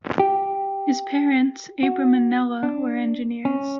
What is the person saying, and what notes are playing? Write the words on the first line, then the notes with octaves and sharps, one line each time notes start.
His parents, Abram and Nella, were engineers.
G4
F#4
D4
C#4